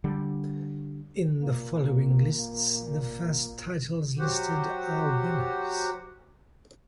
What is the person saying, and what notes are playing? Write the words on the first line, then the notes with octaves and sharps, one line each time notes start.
In the following lists, the first titles listed are winners.
D3 G3
A#2 A#3
F#3 F#4 G4 C5 F#5